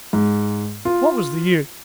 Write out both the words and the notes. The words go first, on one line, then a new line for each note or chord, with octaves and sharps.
What was the use!
G#2
F4